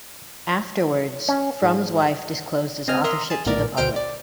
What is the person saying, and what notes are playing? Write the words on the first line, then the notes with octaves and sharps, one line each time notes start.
Afterwards, Frum's wife disclosed his authorship to the public.
C#4
G#2
C#2 C4 D#5 G#5 F6
A#4 D#5 E5 A#5 C6
G#4 A5
A#1 A2 B3 A#4 D5
D2 B2 C5 G5 F6 D7
D5